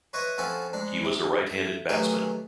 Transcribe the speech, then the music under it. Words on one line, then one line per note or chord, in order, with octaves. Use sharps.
He was a right-handed batsman.
B4 C#5 D#5 E5 C6 C#6
F3 C4 C#4 E4 F#4 A4
G#2 D4
C3
A4 E5
D#3 E3 F#3 A3 G4 G#4